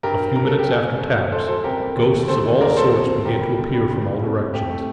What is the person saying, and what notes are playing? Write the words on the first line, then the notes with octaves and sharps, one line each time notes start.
A few minutes after taps, ghosts of all sorts began to appear from all directions.
G2 G4 A#4
F#3
C2 A#4
F#3 A4
G4
F#2 A4
A3
D#2
F#3
F#2 A4 C5
F#3 A4 C5
C2 G4 A#4
G3
D#2
A3
D2 A4 C5
D#3
D#2 A#4 D5
F#3 A4 C5
C2
F#3
D2 G4 A#4
G3
D2
G3
D2
G3
C2
A3
C2 G4
A3